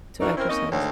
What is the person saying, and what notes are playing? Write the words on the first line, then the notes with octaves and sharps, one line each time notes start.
to exercise?
D3 D#4 F#4 A#4 D5 E5
C4 C#4 E4 A#4 C5
A#3 C4 C#4 D#4 A#4 D#5
D2 G#2 D3 D#3 C#5